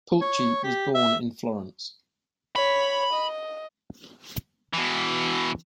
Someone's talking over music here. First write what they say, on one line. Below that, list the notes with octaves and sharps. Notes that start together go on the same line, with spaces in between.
Pulci was born in Florence.
C#5
G4
E5
C#5 B5
D#5
B2 E3